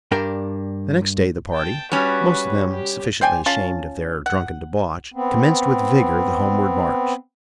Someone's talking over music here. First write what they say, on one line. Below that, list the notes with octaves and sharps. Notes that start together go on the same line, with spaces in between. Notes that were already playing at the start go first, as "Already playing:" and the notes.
The next day the party, most of them sufficiently ashamed of their drunken debauch, commenced with vigor the homeward march.
G2 D4 A#4 G5
G5 A5
G3 C#4 F#4 B4
G4
C5 D5 G5 G#5
C#4 F4 A5
F#5
B3 C4